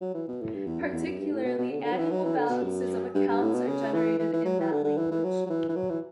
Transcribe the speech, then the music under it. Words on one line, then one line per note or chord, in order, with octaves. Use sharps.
Particularly annual balances of accounts are generated in that language.
F#3
E3
B2
A2
G2
E2
F#2
E2
F#2
G2
A2
B2
B2
D3
C#3
D3
F#3
E3
F#3
E3
D3
B2
F#2
G2
G2
A2
B2
C#3
E3
E3
E3
F#3
E3
D3
D3
E3
E3
F#3
F#3
E3
E3
F#3
E3